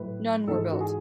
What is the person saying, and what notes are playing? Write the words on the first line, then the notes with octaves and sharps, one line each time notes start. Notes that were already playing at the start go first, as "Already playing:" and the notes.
None were built.
Already playing: A2 F#3 B4
G#2 E3 G#3 A4
F#4
G#4